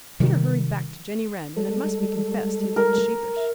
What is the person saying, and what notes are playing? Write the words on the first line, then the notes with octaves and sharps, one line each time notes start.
Peter hurried back to Jenny Wren and it must be confessed he looked sheepish.
C3 D#3 G3
G3 G#3 A4
A#4
E5